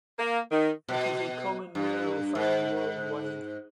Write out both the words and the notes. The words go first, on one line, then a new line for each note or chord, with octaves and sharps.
It is a common mineral, found worldwide.
A#3
D#3
B2
G2
G#2